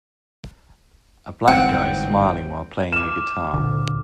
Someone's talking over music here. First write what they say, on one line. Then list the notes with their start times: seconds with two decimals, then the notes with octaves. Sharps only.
A Black guy smiling while playing a guitar.
1.48 G1 G#2 E3 C4 F#5
2.92 D6 F6 E7
3.54 D2 A#2 D3